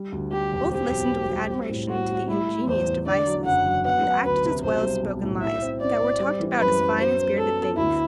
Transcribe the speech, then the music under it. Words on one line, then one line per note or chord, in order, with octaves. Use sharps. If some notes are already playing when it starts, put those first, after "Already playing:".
Both listened with admiration to the ingenious devices, and acted as well as spoken lies, that were talked about as fine and spirited things.
Already playing: G3
D2
G3 G4
E1
C4 G4
B1
C4
G3
C4
A2
G3 F#4
G3
A3 E4
A3
E2 C5
E2
D3 D5
F#3
F#1 F#5
F#3
B3 F#5
F#3
D2 B4
C3
B1 C5
G3
B1
A2
E4 E5
C4
C4 D5
C4
G3
E3
F#2 B4
F#2
F#3 C5
B3
F#3 A4
B3
D2 E4